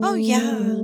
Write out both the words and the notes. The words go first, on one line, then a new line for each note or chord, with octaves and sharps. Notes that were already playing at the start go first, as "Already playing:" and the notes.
Oh, yeah.
Already playing: A3
A#3
A3
G3
A3